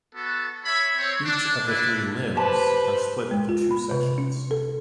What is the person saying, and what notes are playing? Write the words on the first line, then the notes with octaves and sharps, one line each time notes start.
Each of the three "limbs" are split into two sections.
B3 F#4 A4
C#5 E5 B5
C4 C#5
D4
D4 E4 B4
G4 B4 C5 A5
G#3
F4
B5
C3
C#4
A4